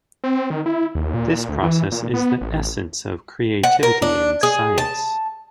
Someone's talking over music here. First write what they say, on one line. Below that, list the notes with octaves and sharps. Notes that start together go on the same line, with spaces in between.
This process is the essence of creativity in science.
C4
D#3
E4
D#2
A#2
D2
E3
A#2
B3
A1
F#5
A#4
D4
G#4
A5